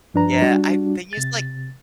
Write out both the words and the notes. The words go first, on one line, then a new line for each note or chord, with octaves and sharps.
Yeah, I they use, like
G2 F3 D4 B4 A#5
G3 D4 F#4
C3 A6